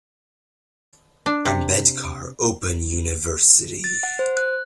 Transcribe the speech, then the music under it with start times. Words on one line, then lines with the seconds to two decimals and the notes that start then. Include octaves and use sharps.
Ambedkar Open University.
1.26 D4
1.45 C3
3.84 A6
4.03 F#5
4.19 C5
4.37 F#6